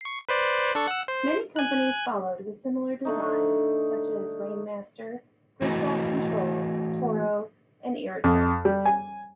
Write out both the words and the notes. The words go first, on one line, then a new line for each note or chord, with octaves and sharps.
Many companies followed with similar designs, such as Rainmaster, Griswold Controls, Toro, and Irritrol.
C#6 C7
B4 C5 D5
D4 A4 C#6
F#5 E6
C5
G#5 F#6
D3 A3 D#4
E3 A3 D#4 E4 F#4
F2
G3
G#5